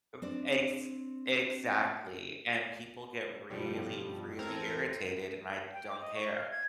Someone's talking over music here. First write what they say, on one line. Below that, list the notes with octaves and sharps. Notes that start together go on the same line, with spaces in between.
Of ex exactly, and people get really, really irritated, and I don't care.
C4 D4 D5
G2 B2 F3 G3
E2 C4 A4 A#4 A#5 G#6
G5
D6
D#5
C#6
F5
G#6